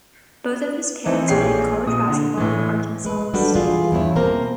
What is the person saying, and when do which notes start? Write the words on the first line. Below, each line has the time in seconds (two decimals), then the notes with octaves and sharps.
Both of his parents played college basketball for Arkansas State.
1.05 E3 C4 D#4
1.28 A#1 G4 G#4 C#5 C7
1.86 A#2 D#6
2.08 D3
2.37 A2 E3
3.04 G#3 B4
3.34 G3 D4 F#4 A4 B4
3.55 E3 G3 F4 G#4
3.92 E2 G2 E4 C#5
4.15 B2 A#3 C4 A#4